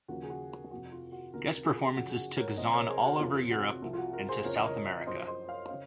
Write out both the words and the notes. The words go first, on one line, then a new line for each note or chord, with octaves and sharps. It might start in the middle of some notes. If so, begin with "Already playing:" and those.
Guest performances took Zaun all over Europe and to South America.
D#2 C#3 F3 F#4
G#4
F#4
F2 C3 F3 F#4
F4
F#4
C#2 C3 D#3 F#4 A#4
A#4
F4 G#4
F#2 C#3 F3 F#4
G#4
F#4
A#4 C#5
C2 C3 F3 C5 D#5
A#4 C#5
G#4 C5
F#4
F2 C3 D#3 F4
F#4
C2 C3 F3
F4
F#4
F#4 A#4
G#4 C5
F2 C#3 F3 A#4 C#5
D#5
A#4 C#5
F#2 F3 C5 D#5
C5 D#5
C#5 F5
C#3 C#5 F5